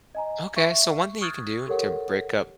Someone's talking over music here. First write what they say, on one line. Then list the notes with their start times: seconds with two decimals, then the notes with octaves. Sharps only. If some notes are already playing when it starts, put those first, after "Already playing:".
Okay. So one thing you can do to break up
0.15 D#5 G#5 A#5
0.56 E5 C#6
1.21 C#6 D#6 F6 F#6 G#6 A6
1.67 G4 A4 A#4 C#5 F#5